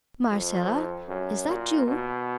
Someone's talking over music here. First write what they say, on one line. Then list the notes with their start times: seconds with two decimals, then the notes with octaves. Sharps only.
"Marcella, is that you?"
0.31 F2
1.09 F#2
1.48 A#2
1.87 B2